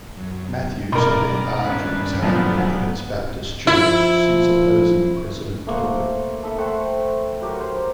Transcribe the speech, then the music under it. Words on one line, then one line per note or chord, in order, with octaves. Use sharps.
Matthews had been barred from his home Providence Baptist Church since opposing President Tolbert.
F#2
A1 B2 A#4 D5 A#5 B5
G2 D#3 C#4 D4 B4
A#2 F3 F#3 A3 B3 A5
F3 E4
A3 A#3 C5 F#5
A4 E5 B5
A3 C5 F#5 G5
F#3 G4 A#4 F#5
C5